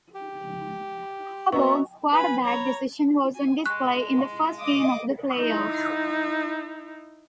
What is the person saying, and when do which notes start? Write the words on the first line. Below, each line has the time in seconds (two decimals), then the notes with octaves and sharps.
Harbaugh's quarterback decision was on display in the first game of the playoffs.
0.14 G4
1.52 B3 F#4 D#5 E5 A#5 C#6
2.12 B4 G#5 B5
2.45 C#5 A#5 B5
3.34 G#5
3.66 G#3 C#6 F#6
4.61 D#5 D6 D#6
5.39 D#4 E4